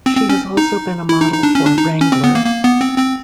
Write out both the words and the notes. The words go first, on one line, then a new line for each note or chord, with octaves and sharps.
She has also been a model for Wrangler.
C4
C4
C#4
D#4
E4
D#4
D#4
D4
C#4
D4
D#4
C#4
C4
B3
A#3
A#3
B3
C4
C4